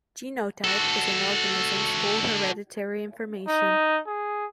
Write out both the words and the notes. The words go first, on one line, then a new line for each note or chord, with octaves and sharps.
"Genotype" is an organism's full hereditary information.
F#4 A4
D#4
G#4